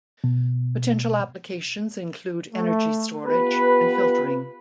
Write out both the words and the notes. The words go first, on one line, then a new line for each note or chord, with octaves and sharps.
Potential applications include energy storage and filtering.
B2
A3
B3 F4 G4 B4